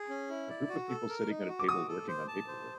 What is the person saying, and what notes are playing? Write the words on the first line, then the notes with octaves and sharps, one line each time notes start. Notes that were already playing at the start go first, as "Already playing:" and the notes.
A group of people sitting at a table working on paperwork.
Already playing: G#4
C#4
E4
D5
F#4
A4
A#4
D#4
F#4
D6
F#4 D#6
A4
C5
A5
C5